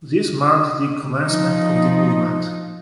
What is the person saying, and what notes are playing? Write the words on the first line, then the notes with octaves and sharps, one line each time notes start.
This marked the commencement of the movement.
F3 D#4